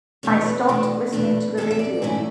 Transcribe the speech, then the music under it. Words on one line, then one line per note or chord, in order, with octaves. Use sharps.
I stopped listening to the radio.
E2 B2 A3 D4 C#5
B4
E2 B2 A3 D4
E2 B2 A3 D4
E2 B2 A3 D4 A4
E5
D5
G#2 E3 A3 C#4 E4